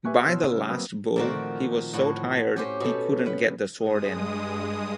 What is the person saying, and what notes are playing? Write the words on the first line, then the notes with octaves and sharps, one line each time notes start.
By the last bull he was so tired he couldn’t get the sword in.
G4 B4 E5 G#5 C#6 F#6
B2 C#5 C6 E6 F6
C#3 G3
F#3 A#3 C4 B4 B5 D#6
A#2 D#3 F3 A3 C4 F#4
A2 F#4
C#4 G4 C5
B2 F#4 A4
C#4 B4
G2 G#3 D#6